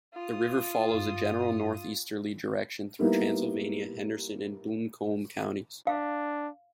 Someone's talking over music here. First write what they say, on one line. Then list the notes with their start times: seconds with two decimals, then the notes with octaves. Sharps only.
The river follows a general northeasterly direction through Transylvania, Henderson, and Buncombe counties.
0.14 F4 D#6
0.94 G2
2.99 G3 A#3 B3 D#4 E4 A#4
5.87 D4 F5